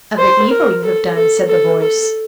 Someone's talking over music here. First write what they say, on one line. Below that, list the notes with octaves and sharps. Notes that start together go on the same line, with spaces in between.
"Of the evil you have done," said the voice.
C5
A#4
A4
A4
A4
A4